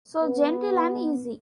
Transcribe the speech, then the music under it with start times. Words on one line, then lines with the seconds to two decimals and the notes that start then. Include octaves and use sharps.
So genteel and easy!
0.21 B3